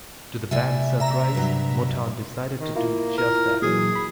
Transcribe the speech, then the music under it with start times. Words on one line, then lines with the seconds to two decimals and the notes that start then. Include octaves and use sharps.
To the band's surprise, Motown decided to do just that.
0.51 A2 C3 D5 E5 G#5
1.00 E5 A#5
1.35 G2 F#3
2.60 D#3
2.75 A#3 E4 F4
3.18 A#4
3.62 A#2 E3 F#3 G#4
3.95 B5